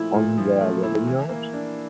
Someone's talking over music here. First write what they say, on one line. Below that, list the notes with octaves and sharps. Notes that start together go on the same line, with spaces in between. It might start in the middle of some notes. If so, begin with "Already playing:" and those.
On their wedding night?
Already playing: A#2 F3 A3 E4
A#2
F3
A3
E4
E3
A#3
D4